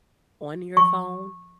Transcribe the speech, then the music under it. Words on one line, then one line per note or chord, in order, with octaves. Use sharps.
on your phone,
C#6